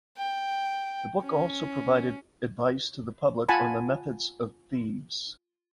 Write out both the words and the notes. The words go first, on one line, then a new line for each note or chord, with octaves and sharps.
The book also provided advice to the public on the methods of thieves.
G5
C#4
F4 F#5 G#5 A5 B5